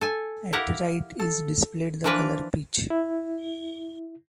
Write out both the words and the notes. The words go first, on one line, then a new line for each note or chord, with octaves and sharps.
At right is displayed the color peach.
A4 G#5
E4 G4 A#4 F5 F#5
A4
E3 F3 D4 A#4 B4
E4